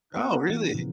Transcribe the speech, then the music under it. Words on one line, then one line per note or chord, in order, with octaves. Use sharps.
Oh, really?
B3 A#4 F#5
E3
A#2 C#3 F3